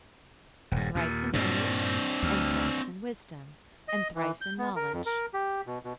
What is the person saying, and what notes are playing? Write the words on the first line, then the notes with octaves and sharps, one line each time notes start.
Thrice in age, and thrice in wisdom, and thrice in knowledge.
D#1 G2
D#2 A#2
G2 A#2 C4 D4
D2
D#5
E3
G6
B3
A#4
F2
A#4
G4
B2
B2